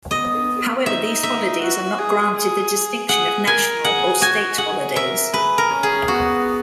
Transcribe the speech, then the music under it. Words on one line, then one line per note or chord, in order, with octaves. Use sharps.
However, these holidays are not granted the distinction of national or state holidays.
B3 D#5
D#4 E5
E5
F#4
G#4
G#4
G#4 F#5
A#4 G#5
G#4 F#5
F#4 G#5
G#4 F#5
A#4 E5
G#4 B4
A#4
C#4
G#4
B3 F#4